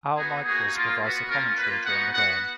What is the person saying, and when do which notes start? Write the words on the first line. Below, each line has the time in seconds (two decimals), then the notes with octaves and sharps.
Al Michaels provides the commentary during the game.
0.17 B3 D#4 F#4 G#4
0.45 A#3 D#4 F#4 G#4
0.74 A#3 F4
1.02 B3 F#4
1.30 A#3 C#4 F4 A#4
1.58 A#3 F4 B4
1.86 B3 D#4 F#4 F#5
2.14 B3 F#4 F#5